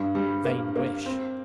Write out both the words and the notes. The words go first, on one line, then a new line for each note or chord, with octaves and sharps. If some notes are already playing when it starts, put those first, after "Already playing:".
Vain wish!
Already playing: G2
G3
A#3
A#3
C4